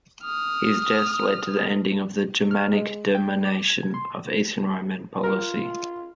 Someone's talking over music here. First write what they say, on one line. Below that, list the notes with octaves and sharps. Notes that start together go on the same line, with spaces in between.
His death led to the ending of the Germanic domination of Eastern Roman policy.
D#6 F6
F6
G#3
G5
D6
G#6
C6
F4 A#4